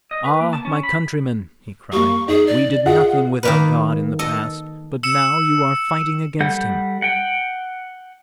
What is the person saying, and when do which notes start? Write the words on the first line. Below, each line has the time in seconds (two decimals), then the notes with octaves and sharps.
'Ah, my countrymen,' he cried, 'we did nothing without God in the past, but now you are fighting against Him.
0.11 D#5
0.25 B4
0.40 A#3
0.53 A5
0.65 C#4
0.83 B5
1.93 G3 A#3 C#6
2.28 D#4 G#4
2.47 D5
2.86 F4 G#4 D#5 F#5
3.43 D#3 A#3 B4
4.19 A4 D#5
5.03 E6 C#7 E7
6.40 G3 A4 F#5 G6
7.02 F#5 G5